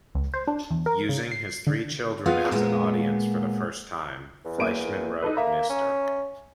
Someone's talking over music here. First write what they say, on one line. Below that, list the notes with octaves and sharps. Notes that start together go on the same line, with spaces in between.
Using his three children as an audience for the first time, Fleischman wrote Mr.
C#2
C5
D4
E2
A#4
C#3
C7
D3
B3 F4 G#4 B4 F5
A#2 G#3 A#3 B3
E2
A#3 D7 D#7
D#4 A4 B4
A#3 E5 A#5
C#4